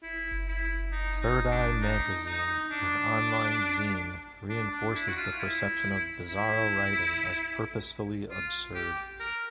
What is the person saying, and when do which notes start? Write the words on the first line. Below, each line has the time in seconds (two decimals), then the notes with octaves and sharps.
"Thirdeye Magazine", an online zine, reinforces the perception of Bizarro writing as purposefully absurd.
0.03 E4
0.47 E4
0.92 D#4
1.22 D#4
1.51 D4
1.81 D#4
2.26 D#4
2.71 D4
4.50 D4
4.72 D4
4.95 E4
5.09 F#4
5.17 F4
5.39 E4
6.29 E4
8.30 F4
8.75 G4
9.20 A#4